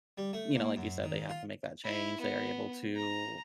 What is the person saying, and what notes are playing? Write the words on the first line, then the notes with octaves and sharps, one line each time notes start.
you know, like you said, they have to make that change, they are able to
G3
A3
A#2
F#2
D#3
F4
E4
B3
A#5